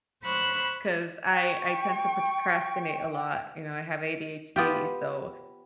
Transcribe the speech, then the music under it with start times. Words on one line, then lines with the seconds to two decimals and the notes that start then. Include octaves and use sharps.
'cause I I tend to procrastinate a lot, you know, I have ADHD, so,
0.22 C5 B5 C#6 E6 F#6
1.31 G5 C#6
4.56 B3 F4 G4